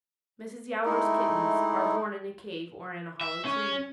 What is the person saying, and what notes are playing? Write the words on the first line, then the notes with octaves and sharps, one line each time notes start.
Mrs. Yowler's kittens are born in a cave or in a hollow tree.
G#3 A3 D#4 E4
E5
C#4